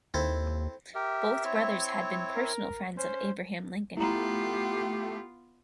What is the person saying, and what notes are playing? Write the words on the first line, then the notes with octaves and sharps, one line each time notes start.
Both brothers had been personal friends of Abraham Lincoln.
D#2 C4 E4 A4
G4 A#4 E5
C4 E4 C#5
A#4
C#4 C5
A3 B3 E4 F4 G4 A#5